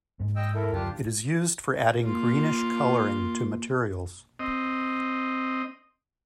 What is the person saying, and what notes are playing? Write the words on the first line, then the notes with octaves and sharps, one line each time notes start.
It is used for adding greenish coloring to materials.
G#2 G#3
D#5 G5 E6
E4 A4 A#4
D1 F#2 D3 D4 F4 G4
A#3 F4
C4 D#5